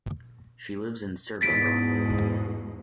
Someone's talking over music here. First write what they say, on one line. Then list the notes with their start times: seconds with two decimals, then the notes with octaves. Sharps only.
She lives in Srbobran.
1.41 E2 G#2 B2 A6 B6 D7